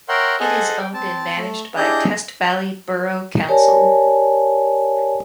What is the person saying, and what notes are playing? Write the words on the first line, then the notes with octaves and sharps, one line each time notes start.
It is owned and managed by Test Valley Borough Council.
A#4 C#5 E5 F#5 G5 C6
G#4 A4 C5 D#5 F#5 G#5
G5
C4 A5
A3
D4 E4 G4 G#4 D#5 G6
G4 A#4 C#5 D5 G#5 A5